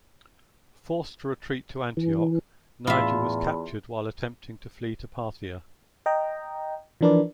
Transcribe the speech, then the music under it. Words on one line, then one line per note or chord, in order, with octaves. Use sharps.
Forced to retreat to Antioch, Niger was captured while attempting to flee to Parthia.
E3
E2 A2 F4 E5 B5
D#5 G5 A#5
E3 F3 D4 A#4 B4 D5